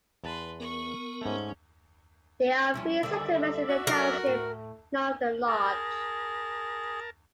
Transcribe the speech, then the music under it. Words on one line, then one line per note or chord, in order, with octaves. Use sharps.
There are three settlements in the township, none of them large.
E2 B4 A5 C6
B3 A#4 C#6
G#2 A3 C#4
F3 G3 C#4 E4
D3 D#3 G3 D5 E5
F#4
F#3 A#4
A2
G#4 A#4 A5